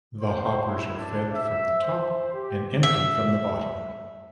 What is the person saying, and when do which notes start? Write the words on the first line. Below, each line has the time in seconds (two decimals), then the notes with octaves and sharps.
The hoppers are fed from the top and emptied from the bottom.
0.21 C5
0.69 E4
0.98 D4
1.34 E5
1.83 C5
2.34 G4
2.83 E5